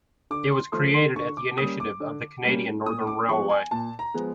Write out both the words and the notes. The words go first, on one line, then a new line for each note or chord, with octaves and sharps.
It was created at the initiative of the Canadian Northern Railway.
D3 D6
C6
F3 A3 C6
C6
D3 C#6
D6
G3 A#3 C#4 D#6
D6
D3
G3 A#3 C#4
A#2 D#6
D6
F3 G#3 B3 C#6
G#5
A#2 A5
A#5
F3 G#3 B3